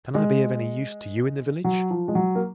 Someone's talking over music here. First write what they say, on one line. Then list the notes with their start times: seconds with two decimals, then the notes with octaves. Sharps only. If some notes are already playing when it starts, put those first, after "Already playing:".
Can I be of any use to you in the village?
0.15 G#3
1.64 F#3
1.90 F3
2.08 G#3
2.15 F#3
2.35 A#3